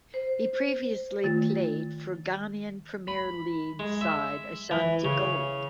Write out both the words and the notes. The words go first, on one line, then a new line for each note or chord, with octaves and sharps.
He previously played for Ghanaian Premier League side Ashanti Gold.
C5
D#3 A3 F4 A6
B5
G#3
E5
E3
C#3